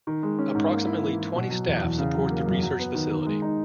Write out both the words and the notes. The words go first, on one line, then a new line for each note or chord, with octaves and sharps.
Approximately twenty staff support the research facility.
D#3
G#3
C#4
G#2
A#3
E4
E3
E3
B2
F#3
E2
E2
C#3
F#3
A#3
F#2
F#3
B3
D#3
D#3
G#3
D#4